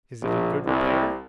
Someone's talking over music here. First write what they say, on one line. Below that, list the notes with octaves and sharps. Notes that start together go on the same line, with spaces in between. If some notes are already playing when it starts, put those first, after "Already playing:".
"Is it in good repair?"
A#1
C2